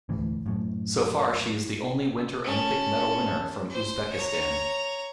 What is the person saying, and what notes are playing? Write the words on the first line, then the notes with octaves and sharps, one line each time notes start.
So far she is the only Winter Olympic medal winner from Uzbekistan.
E1 D2 A2 E3
F#2 A2
C#4 A5
C5
C#5 A#5